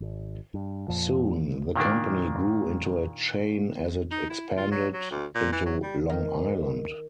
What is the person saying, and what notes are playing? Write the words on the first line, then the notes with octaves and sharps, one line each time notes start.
Soon, the company grew into a chain as it expanded into Long Island.
G#1
G2
F2 A#2 F3
A#2 D#3 A#3 D4
D#4
E4
F4
F#3
F#3
D2
A#2
E3
F#3
G3
D#3